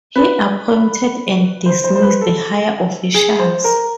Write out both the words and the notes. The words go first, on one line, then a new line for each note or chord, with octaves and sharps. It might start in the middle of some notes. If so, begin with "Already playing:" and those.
He appointed and dismissed higher officials.
B4
C5
C5
C5
B4
A4
G#4
C5
A#4